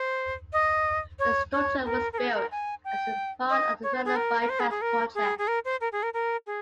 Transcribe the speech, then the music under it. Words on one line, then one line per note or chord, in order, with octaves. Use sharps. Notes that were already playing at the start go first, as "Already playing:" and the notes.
The structure was built as a part of the Welland By-Pass project.
Already playing: C5
D#5
C#5
C#5
A#4
A#4
G#4
A#4
G#5
G5
D#5
C#5
C5
G#4
A#4
A#4
C5
G#4
G#4
A#4
G#4
G#4
A#4
C5
A#4
G#4
A#4
A#4
G#4